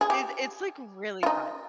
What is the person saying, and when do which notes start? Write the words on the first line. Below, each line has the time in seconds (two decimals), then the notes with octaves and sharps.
It it's, like, really bad.
0.01 G#4
0.10 G4
1.23 F4
1.26 D#4